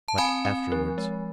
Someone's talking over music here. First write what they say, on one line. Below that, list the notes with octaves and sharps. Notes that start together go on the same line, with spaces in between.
But afterwards.
A5
C4 G#5 B5
C4
F3
G#3